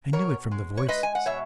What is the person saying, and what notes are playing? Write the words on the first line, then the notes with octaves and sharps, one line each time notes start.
I knew it from the voices.
B2 A#4 C#5
G#3
C#5
G#3 B4 D#5
G#5
F#5
B2 C#5 E5